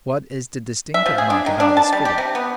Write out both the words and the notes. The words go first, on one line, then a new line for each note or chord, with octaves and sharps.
What is the distinctive mark about this figure?
E5
F3
G#4
D4
D#3
D4
A5
G3
G4
C3
B3